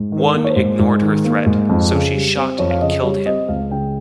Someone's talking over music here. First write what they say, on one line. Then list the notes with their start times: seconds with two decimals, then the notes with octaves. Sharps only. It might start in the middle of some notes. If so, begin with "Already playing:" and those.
One ignored her threat, so she shot and killed him.
Already playing: G#2
0.12 D#3
0.19 A#4
0.34 A#3
0.45 C#5
0.49 C5
0.56 G#2
0.79 G#2
1.02 D#3
1.25 A#3
1.46 G#2
1.69 F2
1.91 C#3
2.14 G3
2.37 C4
2.59 F2 C#5
2.70 F5
2.81 C#3 D#5
3.03 G3 C#5
3.26 C4 D#5
3.48 C#2 F5
3.70 C#3 G5